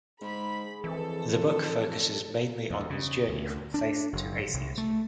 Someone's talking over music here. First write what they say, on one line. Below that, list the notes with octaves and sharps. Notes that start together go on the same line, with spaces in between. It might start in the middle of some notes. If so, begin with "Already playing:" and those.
The book focuses mainly on his journey from faith to atheism.
G#2 G#4 B5
F2 E3 A4
E2
C#3
D2
D4
F#1
C2
A3